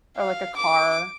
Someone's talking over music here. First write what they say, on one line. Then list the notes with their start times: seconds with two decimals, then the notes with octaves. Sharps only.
or, like, a car.
0.17 F5
0.56 D6